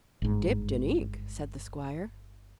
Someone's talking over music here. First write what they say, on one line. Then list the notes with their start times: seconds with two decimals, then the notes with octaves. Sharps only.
"Dipped in ink!" said the squire.
0.22 G1 G#2